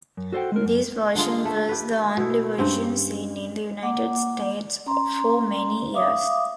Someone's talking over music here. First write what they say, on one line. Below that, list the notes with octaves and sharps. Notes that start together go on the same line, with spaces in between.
This version was the only version seen in the United States for many years.
F#2
F#4 A4 C5 C#5 F#5 G5
G#3 A3 A#4
F#2
D3 G3 G#3 F4
A3
G4 B4
B2 E4
G2 C4 C#4
A#3 F#5 D6
C#4 A#5 C6
E5 F5 D6 D#6